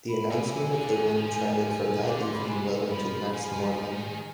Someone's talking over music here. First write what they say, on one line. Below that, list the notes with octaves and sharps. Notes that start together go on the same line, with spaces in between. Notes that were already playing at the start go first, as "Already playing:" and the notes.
The announcement of the win trended from that evening well into the next morning.
B5
C3 G#5
G#5
D3
D#3
F3
G3
F3
D3
D6
C6
B2 B5
C3 G#5
F3 B5
B5
F3 G#5
F3
D#3